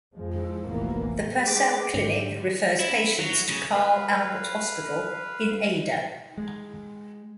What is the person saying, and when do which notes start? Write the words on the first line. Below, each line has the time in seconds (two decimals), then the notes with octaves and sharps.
The Purcell Clinic refers patients to Carl Albert Hospital in Ada.
0.15 F2 F3 G#3
0.65 F1 A#1 A#2 E3 A#3 B3
1.43 G#3 D6
1.94 G#2 D3 G4
2.80 E4
3.20 F#3
3.49 C#3
3.75 B4 F5
6.38 G#3